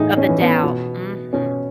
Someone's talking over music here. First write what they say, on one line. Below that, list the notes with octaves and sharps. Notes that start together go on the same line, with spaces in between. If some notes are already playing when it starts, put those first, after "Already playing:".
Of the doubt. Mhm.
Already playing: A2 E3 D#4 G#4
C#4
E3
B3
B2
B2 C#4